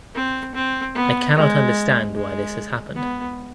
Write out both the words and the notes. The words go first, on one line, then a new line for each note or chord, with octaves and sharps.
I cannot understand why this has happened.
C4
C4
B3
G#3
G#3
B3